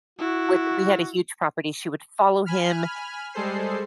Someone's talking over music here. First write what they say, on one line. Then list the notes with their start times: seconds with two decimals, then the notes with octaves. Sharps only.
would we had a huge property- she would follow him,
0.19 E4 F#4
2.46 G#5 B5 F6
3.34 G3 G#3 G#4 A4 C5 C7